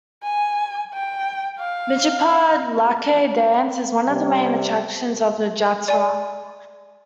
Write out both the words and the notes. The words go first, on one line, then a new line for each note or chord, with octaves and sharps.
Majipa Lakhe dance is one of the main attractions of the jatra.
G#5
G5
F5
C3 G3
D5 G#5